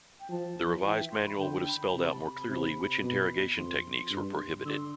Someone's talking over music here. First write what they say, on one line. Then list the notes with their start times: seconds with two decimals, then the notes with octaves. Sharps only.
The revised manual would have spelled out more clearly which interrogation techniques were prohibited.
0.20 G5
0.30 F3 A5
0.84 E3 G5
0.98 E5
1.11 C6
1.26 B5
1.38 D3 G5
1.67 B5
1.93 C3 B5
2.07 A5
2.20 B5
2.35 B5
2.48 C3
3.02 B2
3.56 F2 C6
4.11 G2
4.65 D3 E6
4.69 C6